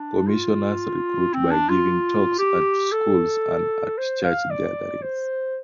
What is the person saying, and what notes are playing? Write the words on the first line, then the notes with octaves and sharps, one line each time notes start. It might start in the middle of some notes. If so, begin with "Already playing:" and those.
Commissioners recruit by giving talks at schools and at church gatherings.
Already playing: D4
F4
C4
D4
F4
G4
A4
C5
F5
D5
C5